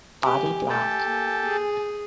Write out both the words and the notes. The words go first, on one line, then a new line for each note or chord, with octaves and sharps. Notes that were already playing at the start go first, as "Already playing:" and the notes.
Body black.
G4 G#5
A3 G4 A4
A#3
G#4